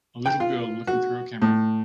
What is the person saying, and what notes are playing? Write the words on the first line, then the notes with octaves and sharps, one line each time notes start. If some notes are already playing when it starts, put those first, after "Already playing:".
A little girl looking through a camera.
G5
F4
F#4
A2